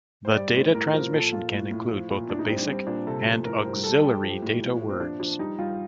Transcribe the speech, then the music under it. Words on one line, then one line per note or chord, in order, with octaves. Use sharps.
The data transmission can include both the basic and auxiliary data words.
C5
G3 D5
A2 C5
A2 A#4
F3 A#4
A#2 A4
A#2 F4
A2
A2
F3
A#2
A2 D4
D#4
G3 C4
D4
G3 C4
A#2 D4
C3 A4
F3
A2 A#4
G3 C5
G3 A4
G3 G4
A4
F3
G4
A2
F3
A#2
C4
F3 D4
F3 D4
G3 D#4
G3 F4